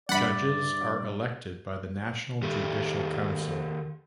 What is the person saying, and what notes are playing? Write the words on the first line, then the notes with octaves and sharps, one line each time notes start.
Judges are elected by the National Judicial Council.
G2 D5 E5 F#5 B5
D#3 G4 A4